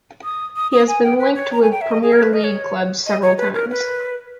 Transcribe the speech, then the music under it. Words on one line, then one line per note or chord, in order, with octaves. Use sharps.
He has been linked with Premier League clubs several times.
D#6
D#6
D#6
G#5
G5
B4
C#5
A#5
G#5
G5
E5
D#5
G#4
A#4
B4
D#5
C#5
D#5
C#5
B4
A#4
B4